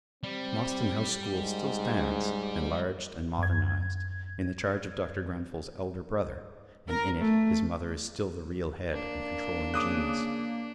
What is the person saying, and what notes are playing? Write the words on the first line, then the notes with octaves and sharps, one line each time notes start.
Mostyn House School still stands, enlarged and modernized, in the charge of Dr. Grenfell's elder brother, and in it his mother is still the real head and controlling genius.
G3 C4
G#2
F#2 G#6
A#4
A3
A#3 D4
C#3 A#3 D6 D#6 F#6